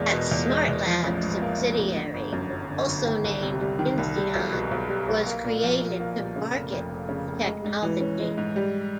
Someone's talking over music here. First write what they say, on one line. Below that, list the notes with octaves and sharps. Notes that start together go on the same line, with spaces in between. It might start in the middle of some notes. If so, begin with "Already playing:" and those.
A Smartlabs subsidiary, also named Insteon, was created to market the technology.
Already playing: E2 A#2 G#3
B2
E2
G#3
E2
F3
A1
G#2
A#3
F3
A1
D3
G1
F#2
F#3
D3
G1
D#3
C2
C3
G3
D#3
C2
G3
B1
B2
B1
G3
B1
A#3
A#2
F3
A#2
A#3
A#2
C#3
F1
F2
F1
C#3
F1
G#3
G#2
E3
C#4
G#3
G#2
G3